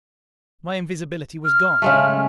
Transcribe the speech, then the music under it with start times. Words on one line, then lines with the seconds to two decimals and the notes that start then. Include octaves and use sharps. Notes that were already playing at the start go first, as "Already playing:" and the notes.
My invisibility was gone!
1.45 F6
1.82 C#3 G#3 A3